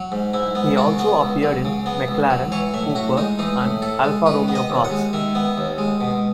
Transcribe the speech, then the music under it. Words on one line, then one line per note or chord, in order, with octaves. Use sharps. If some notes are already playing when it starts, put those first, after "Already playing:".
He also appeared in McLaren, Cooper and Alfa Romeo cars.
Already playing: F#3
G#2
G#2 E4
B3
C#3 F#4
B3
C#2
F#3
C#3
B3
C#2
F#3
E3 C#5
A2 E5
A2 F#4
G#3 D#4
E3 D#4
A2
A2 A4
G#3
D#3 B4
B3
D#5
D#2
F#5
G#3
D#3 E5
B3
D#2
G#3
B2